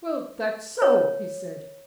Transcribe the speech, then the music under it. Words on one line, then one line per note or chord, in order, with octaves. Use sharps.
"Well, that's so," he said.
C#5